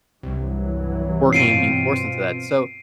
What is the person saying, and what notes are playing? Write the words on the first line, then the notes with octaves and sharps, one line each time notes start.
working and being forced into that, so
C2 G2 E3 F#3
B2 C4 F4 C7 D7 D#7